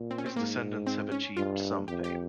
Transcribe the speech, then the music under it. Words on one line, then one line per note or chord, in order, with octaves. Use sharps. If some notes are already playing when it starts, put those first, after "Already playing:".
His descendants have achieved some fame.
Already playing: A#2
C4
C#4
C4
G#2 A#3
C4
C#4
G2 F4
F2 G4
G4